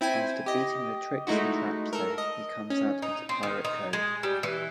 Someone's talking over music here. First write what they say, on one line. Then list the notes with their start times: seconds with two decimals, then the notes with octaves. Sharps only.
After beating the tricks and traps there, he comes out into Pirate Cove.
0.01 C4 E4 G5 G#5
0.46 G4 D#5
1.27 G#3 A3 D#4 E4 F#4
1.93 A4 A#4
2.18 D#5
2.70 C#4
3.02 D#4
3.29 C4
3.43 D#3
3.65 D#4
3.93 G#3
4.23 G3
4.43 E3